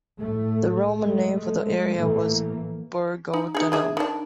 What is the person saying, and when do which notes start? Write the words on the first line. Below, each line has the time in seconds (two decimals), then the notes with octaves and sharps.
The Roman name for the area was "Burgodunum".
0.18 A2 A3
1.01 G#3 A3
1.96 A2 E3 A3 A#3
3.33 D#4
3.55 D#4 G#4
3.72 D4 G#4 E5
3.97 D#3 D4